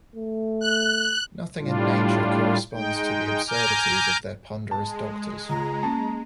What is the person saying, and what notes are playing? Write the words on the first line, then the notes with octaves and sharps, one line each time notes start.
Nothing in nature corresponds to the absurdities of their ponderous doctors.
A3
F#6
A2 G3 D4 F4
G#3 D#4 G5
G#5 A#5 D6 F6 G6
G#3 A5
C#2 A#5
A#3 C#4 A5